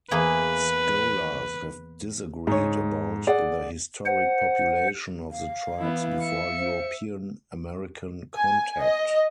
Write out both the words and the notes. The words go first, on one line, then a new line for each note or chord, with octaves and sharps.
Scholars have disagreed about the historic population of the tribes before European-American contact.
E2 A#3 G#4 B4
G#2 D#4 C#5
G#4 D5 F#5
C5 F#5
F5
E3 B3 E4
E5 C#7
C5
G#5
D#5